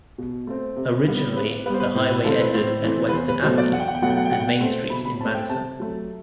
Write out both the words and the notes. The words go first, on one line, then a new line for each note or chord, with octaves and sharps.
Originally, the highway ended at Western Avenue and Main Street in Madison.
B2
A3 C4
C3
G3 B3
C3 B4
B4
G3 B3 B4 C5
B4
A2 C5
B4
E3 A3 C4 A4
B4
A2 C5
E3 A3 C4
B4
E2 C5
B4
B2 F#3 A3 C5
D5
E2 F#5
G5
F#5
G5
B2 F#3 A3 F#5
G5
F#5
G5
B2 F#5
G5
F#5
A3 C4
B2 B5
B5
A3 C4 A5
G5
C3 A5
F#3 A3